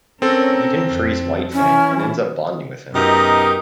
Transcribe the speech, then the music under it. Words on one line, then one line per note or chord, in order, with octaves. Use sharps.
Weedon frees White Fang and ends up bonding with him.
C4 C#4 A4 A#4
F2
E3 C#4 E4
F#2 B2 D#4 G4 A#4 D#5